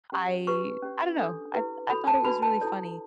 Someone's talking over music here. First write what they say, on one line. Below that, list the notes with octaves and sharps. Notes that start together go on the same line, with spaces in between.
I I don't know, I I thought it was really funny,
C#4 G4 C#5
D4 G4 B4 C#6
C#4 G4 C#5
D4 A4 C#5
E4 G4 B4
F#4 A4 C#5 B5
A5
D4 F#4 B4 B5
A5
E4 A4 C#5